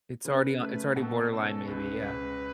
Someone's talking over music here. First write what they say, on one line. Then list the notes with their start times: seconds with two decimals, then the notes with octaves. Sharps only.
It's already on it's already borderline, maybe, yeah.
0.25 C#3 B4
0.60 A3
0.96 B2 A4
1.32 C#4 A4
1.67 C#2 B4
2.03 C#2